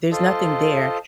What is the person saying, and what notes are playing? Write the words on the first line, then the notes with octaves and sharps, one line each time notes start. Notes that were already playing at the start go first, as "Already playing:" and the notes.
there's nothing there.
F4 A4 C5 D#5